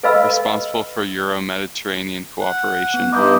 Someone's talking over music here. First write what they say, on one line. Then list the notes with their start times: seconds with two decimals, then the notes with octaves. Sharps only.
Responsible for Euro-Mediterranean cooperation.
0.03 A4 B4 D#5 F5 B5 E6
2.41 F#5
2.94 B3
3.12 G2 D#4 E4 D#5 D6 D#6 G6